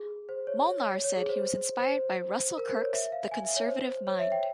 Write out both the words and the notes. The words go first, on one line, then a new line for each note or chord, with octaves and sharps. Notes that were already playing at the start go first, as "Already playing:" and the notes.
Molnar said he was inspired by Russell Kirk's "The Conservative Mind".
Already playing: G#4
C5
C#5
C#5
C#5
G#4
C5
C5
A#4
C5
C#5
E5
F5
G#5
E5
C#5
C5
C#5
E5
G5